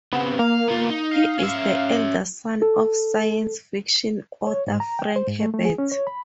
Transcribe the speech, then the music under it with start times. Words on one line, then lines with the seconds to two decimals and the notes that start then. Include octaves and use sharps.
He is the elder son of science fiction author Frank Herbert.
0.13 C#3 B3 C4
0.39 A#3 F5
0.68 B3 F4
0.90 D#4
1.11 F5
1.39 C#4 E5
2.62 A4
4.47 C#5
4.67 G#2
4.80 A#5
4.99 G5
5.16 C5
5.28 G#2
5.40 A3
5.54 A3
5.65 G#4
5.78 C#4
5.92 C#5
6.07 B5